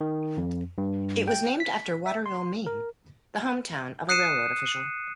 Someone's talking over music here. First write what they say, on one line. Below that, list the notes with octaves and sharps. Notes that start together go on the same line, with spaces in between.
It was named after Waterville, Maine, the hometown of a railroad official.
D#3
F2
G2
G5
B6
E5
C6
A#4
D#6 F#6 C7 C#7 D#7 E7